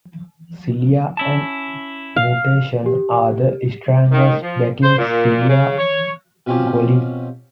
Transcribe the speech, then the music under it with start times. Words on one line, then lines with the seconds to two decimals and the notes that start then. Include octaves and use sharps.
Celia and the Mutations are The Stranglers backing Celia Gollin.
1.17 C#4 E4 A5
2.16 F5
2.86 G4
4.11 D#3
4.42 F3
4.83 C5
4.98 A#2
5.49 C#3
5.79 C#5
6.47 B2 F3 C4 C#4 F4 G4